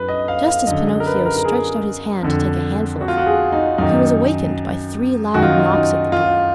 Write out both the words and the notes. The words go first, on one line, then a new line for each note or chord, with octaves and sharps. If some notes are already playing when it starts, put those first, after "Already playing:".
Just as Pinocchio stretched out his hand to take a handful of them, he was awakened by three loud knocks at the door.
Already playing: F#2 B4
D#5
F5
F5
F#2 D3 D#5
D#5
A#4
B4
A#4
A#4
G#4
F2 D3
F#4
F4
F#4
G#4
D#4
F#2 D#3 D#4
F#2 D#3 F#4
F4
D#4
F4
D#4
F4